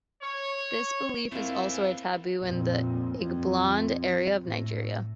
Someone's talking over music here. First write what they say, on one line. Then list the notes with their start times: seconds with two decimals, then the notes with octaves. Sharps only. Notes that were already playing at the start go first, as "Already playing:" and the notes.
This belief is also a taboo in the Igboland area of Nigeria.
0.23 C#5
1.32 F2 E3 A3 A#3 C4 D4 E4
2.43 F2 A#2
3.19 F2
4.44 A2